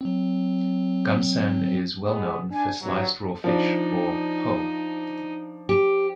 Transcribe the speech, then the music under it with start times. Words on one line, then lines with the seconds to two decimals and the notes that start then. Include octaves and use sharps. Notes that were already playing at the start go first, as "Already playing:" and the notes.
Gunsan is well known for sliced raw fish, or "hoe".
0.01 F#3 C4
2.03 G#3 B3
2.51 D4 G#5
2.81 G#1 C#2 G2 F#3
3.44 F3 D4 D#4
5.69 G4